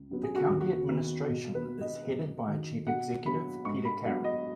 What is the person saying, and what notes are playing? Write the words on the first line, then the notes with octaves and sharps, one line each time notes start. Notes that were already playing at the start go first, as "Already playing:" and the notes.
The county administration is headed by a Chief Executive, Peter Carey.
Already playing: C#2
C#3 F#3 B3
G#4
F#4
D#2
F#4
D#3 B3
B2
B4
B3
D#5
F#2
D#3 F#3
B2 F#5
F#3 B3 B5
G#2 C#6
B5
F#3 B3 F#5
D#5